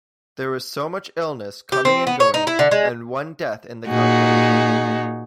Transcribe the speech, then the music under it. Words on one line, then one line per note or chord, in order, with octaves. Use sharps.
There was much illness, coming and going, and one death in the Conclave.
G4
C4
B3
C#5
D#4
E4
D3
G#3
A#2 D#4 F#4 G#4